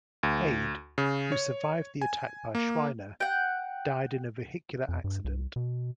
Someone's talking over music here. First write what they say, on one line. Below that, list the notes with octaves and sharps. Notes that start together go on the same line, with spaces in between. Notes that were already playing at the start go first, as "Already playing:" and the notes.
Hade, who survived the attack by Shriner, died in a vehicular accident.
D2
C#3
C#5
G#5
A#3
F#5 G5
F2
G2
C2
B2